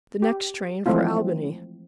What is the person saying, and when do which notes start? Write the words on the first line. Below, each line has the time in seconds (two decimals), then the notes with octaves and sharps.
"The next train for Albany."
0.22 G4
0.86 E3 F3 G#3 A3 C4 F4